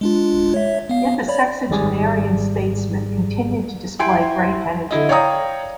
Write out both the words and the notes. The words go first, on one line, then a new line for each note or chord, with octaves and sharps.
Yet the sexagenarian statesman continued to display great energy.
G#3 D4 F4
C#5 E5
B3 F5
C#5 D5 B5
G#1 G#2 G3 G#4 D5 G#5
E4 G5 G#5 C6 D7
D3 E4 D#5
C#5 D5 F5 G5 A#5 D#6